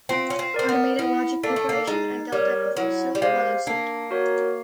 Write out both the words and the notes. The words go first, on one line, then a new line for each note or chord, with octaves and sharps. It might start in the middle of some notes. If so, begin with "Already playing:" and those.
Automated Logic Corporation and Delta Controls soon followed suit.
C4 F4
C#4
C4
C4 A#4 D5
B3
B3 E4
A#3 A4 D5
A3
A#3
G#3 D#4
G3 G4 A#4 C#5
F#3 E4
G3
G#3 G4 C5 F5
A#3 D4
F#4 A#4 C#5